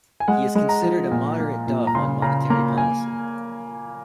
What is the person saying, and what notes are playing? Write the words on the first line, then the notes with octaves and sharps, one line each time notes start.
He is considered a moderate dove on monetary policy.
G#5
G#3 F#5
G#3
A#5
F3
A#2
A#3
A#2
A#5
C#3 C6
C#3 A#5
A#3 A#5
G#5